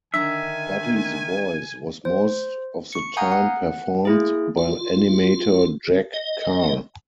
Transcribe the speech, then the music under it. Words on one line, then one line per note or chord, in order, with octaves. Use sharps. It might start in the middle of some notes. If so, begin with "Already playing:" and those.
Buddy's voice was most of the time performed by animator Jack Carr.
D3 D#3 D4 E5 G#5 A#5
C5
C#6 C#7
F5 F#5 G#5 A#5 D#6 G6
F#5
A#3 E4 G#4
F4
D#5